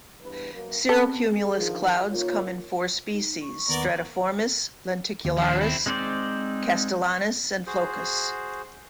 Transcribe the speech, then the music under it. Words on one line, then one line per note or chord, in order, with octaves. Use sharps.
Cirrocumulus clouds come in four species: "stratiformis", "lenticularis", "castellanus", and "floccus".
E2 G2 B4
F#2 A#3
B3 C4 A4
G#4
D3 D#3 F3
D#3 A#3 F4 C#5
D#4
C#6
D#2 B3 A#4 D5
D#2
F3 D4
C4 E4
G#3 C4 D#4 C5 D5
F#4 G#4 C5